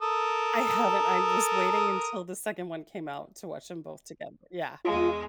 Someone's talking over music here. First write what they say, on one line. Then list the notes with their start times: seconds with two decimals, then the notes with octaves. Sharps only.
I haven't. I was waiting until the second one came out to watch 'em both together Yeah.
0.02 A4 A#4 D#6
4.85 E2 G#3 F4